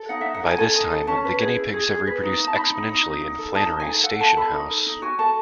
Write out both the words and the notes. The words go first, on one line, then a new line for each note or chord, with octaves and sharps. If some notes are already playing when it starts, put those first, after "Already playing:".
By this time, the guinea pigs have reproduced exponentially in Flannery's station house.
Already playing: A4
D#4 F#5
D#4 E5
F#5
A4 G#5
A4 G#5
D#4
A4
C#4 A5
B4
G#4
E4
G#4
G#4
B4
D#4
D#4
A5
D#4 B5
D#4
D#4
D#4
D#4
A4
D#4 A5
D#4
G#5
A4
A4 F#5
A4 A5
A4 B5
D#4
A4
D#4
F#4 G#5
A4 A5